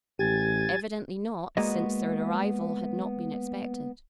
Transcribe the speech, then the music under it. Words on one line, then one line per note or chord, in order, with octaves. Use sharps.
Evidently not, since their arrival had not been expected.
A1 G4 G#5 G#6 A6
G#3 A#3 B3 F#4 D5 D#5